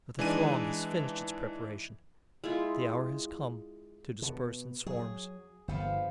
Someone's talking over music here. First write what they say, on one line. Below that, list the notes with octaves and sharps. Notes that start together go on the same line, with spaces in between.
But the throng has finished its preparations; the hour has come to disperse in swarms.
E3 G#3 D4 D#4 G#5 D#7
G#3 E4 F4
B2
F#3 G#4
G1 F3 B3 C5